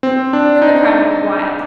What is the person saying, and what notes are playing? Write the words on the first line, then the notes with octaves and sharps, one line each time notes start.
Then the crowd went wild.
C4
D4
D#4